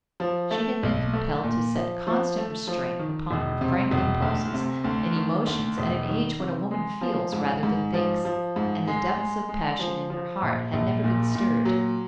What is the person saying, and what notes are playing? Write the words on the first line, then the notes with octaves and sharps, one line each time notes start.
She had been compelled to set constant restraint upon her frank impulses and emotions at an age when a woman feels rather than thinks, and the depths of passion in her heart had never been stirred.
F3
A3
B1
A3
A#2
F3
F3
A3
F3
D#3
E1
C3
E1
D2
C3
D2
D#3
D2
E1
D#3
C3
G#3
F3
G#2
G#2
F3
F3
G#2
G#3
G#3
G#3
F3
F3
A#1
A#1
A#2
A#2
F#3